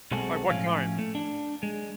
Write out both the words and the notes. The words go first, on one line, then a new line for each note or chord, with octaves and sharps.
Like, what kind?
B1 G#3 C4 F#4 G#4 A4
A2 F3 C#4 C#5 F5
A3
D4
G#3